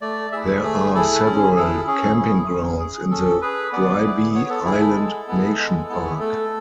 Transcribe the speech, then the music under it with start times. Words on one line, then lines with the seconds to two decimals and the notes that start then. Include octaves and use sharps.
There are several camping grounds in the Bribie Island Nation Park.
0.01 A3 D5
0.32 E4 G#4 E5
0.63 A3 G#4
0.95 E4 G#4 A4
1.25 C#4 G#4
1.56 E4 G#4 A4
1.87 C#4 G#4
2.18 E4 G#4
2.49 C#4
2.80 G#4
3.11 C#4 A4
3.42 G#4 B4
3.73 B3 D5
4.04 E4 G#4
4.34 B3 C#5
4.50 A4
4.65 E4 G#4
4.81 A4
4.96 G#3
5.27 B3 E4 G#4
5.58 G#3
5.89 B3 E4 G#4
6.20 A3 A4